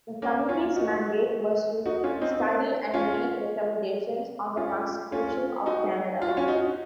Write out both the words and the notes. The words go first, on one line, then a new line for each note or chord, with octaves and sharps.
The Committee's mandate was to study and make recommendations on the Constitution of Canada.
A#3 C#4
C#4 F4
D#4 F#4
D#4 F#4
C#4 F4
C4 D#4
C#4 F4
C#4 F4
C#4 F4
D#4 F#4
F4
F#4
C#4 F4
D#4 F#4